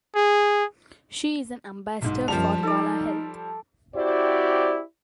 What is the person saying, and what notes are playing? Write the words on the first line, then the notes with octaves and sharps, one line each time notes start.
She is an ambassador for Vala Health.
G#4
B1 G#2
F#2 F3 G3 A5 F7
D#4 A4 D5
C4 E4 F#4 G4 C5 D5